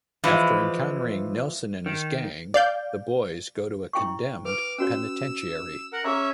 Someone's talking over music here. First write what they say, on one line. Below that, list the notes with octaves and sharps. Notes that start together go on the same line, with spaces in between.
After encountering Nelson and his gang, the boys go to a condemned penitentiary.
E3 F3 G#3
D#3
D5 F5 G6
E4 G5 C#6
B4 D6 F6
C#4 F#4 C#5 E6
A#4 F#5
C#4 G#4 C#5 E5 A#5